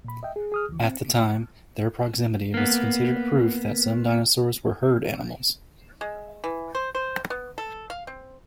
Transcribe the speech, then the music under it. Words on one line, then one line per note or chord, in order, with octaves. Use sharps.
At the time, their proximity was considered proof that some dinosaurs were herd animals.
A#2 B5
D#5 E5 G5
G#4
G#4 D#6 F6
D2 E3
C4
A#3 B3
G#3
E3
C5
C5
B3
A4
F5
C4